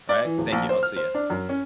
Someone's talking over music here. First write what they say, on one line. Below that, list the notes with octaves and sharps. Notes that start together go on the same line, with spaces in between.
Right. Thank you, I'll see ya.
D5
E3
D1
A#1
C5
F6
C5
D4
F#2
C#4